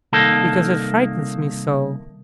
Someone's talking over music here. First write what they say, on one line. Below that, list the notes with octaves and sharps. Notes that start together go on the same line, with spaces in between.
'Because it frightens me so!'
C2 D#3 A#3 A4